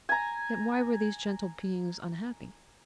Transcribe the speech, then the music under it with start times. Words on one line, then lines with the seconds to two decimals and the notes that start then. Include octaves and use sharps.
Yet why were these gentle beings unhappy?
0.09 G#5 A#5